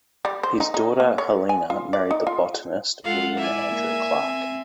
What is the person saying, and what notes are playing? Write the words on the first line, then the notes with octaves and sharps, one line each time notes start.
His daughter Helena married the botanist William Andrew Clark.
G3
C5
D#4
D#4
A#3
C#5
G#5
F4
D5
D#4
F4
G#3 F4 A4 F5 F#5
E4 D5 E5 G#5
A#3
C4